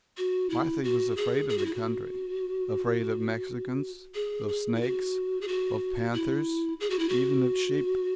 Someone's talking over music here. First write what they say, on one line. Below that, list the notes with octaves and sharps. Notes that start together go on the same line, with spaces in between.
Marthy was afraid of the country--afraid of Mexicans, of snakes, of panthers, even of sheep.
F#4
E4
F#4
G#4
G#4
F#4
E4
F#4
G#4
G#4
E4
F#4
G#4
F#4
E4
G#4
F#4
E4
F#4